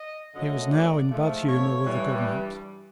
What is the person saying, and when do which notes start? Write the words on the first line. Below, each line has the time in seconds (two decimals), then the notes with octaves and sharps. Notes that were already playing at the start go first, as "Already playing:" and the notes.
He was now in bad humour with the government.
Already playing: D#5
0.34 F#2 D3 F#3 A3 D#5
0.72 D5
1.10 G#2 F3 A3
1.48 C#5
1.86 G2 E3 G3